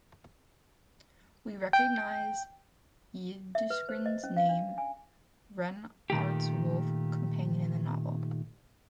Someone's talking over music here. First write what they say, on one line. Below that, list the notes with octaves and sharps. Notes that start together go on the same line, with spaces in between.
We recognize d’Ysengrin’s name, Renart’s wolf companion in the novel.
G5
E5
B4
C5
D#5
C#4
F5
D4
G#5
A#2 D#3 A3 G4